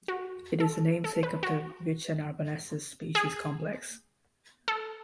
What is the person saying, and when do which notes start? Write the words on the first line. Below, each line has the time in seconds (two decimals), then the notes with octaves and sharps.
It is the namesake of the "Vicia narbonensis" species complex.
0.08 F#4
0.60 A4
1.04 A4
1.23 B4
1.43 F#4
3.15 G#4
4.68 A4